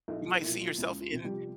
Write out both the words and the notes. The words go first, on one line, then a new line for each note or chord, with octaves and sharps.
You might see yourself in
B1 E4
F4
A#2 F3 E4
F4
C#2 E4
F4
C3 F3
G3 G4